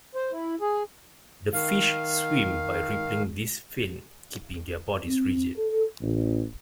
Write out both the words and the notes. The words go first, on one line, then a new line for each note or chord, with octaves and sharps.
The fish swim by rippling this fin, keeping their bodies rigid.
C5
E4
G#4
D#3 F5
C4
A4
A1